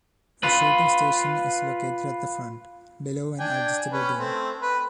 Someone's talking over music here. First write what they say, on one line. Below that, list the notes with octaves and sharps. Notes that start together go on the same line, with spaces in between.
A shooting station is located at the front, below an adjustable dome.
F4 B4
D4 G5 G#5
C#4 B4
A3 C4
B4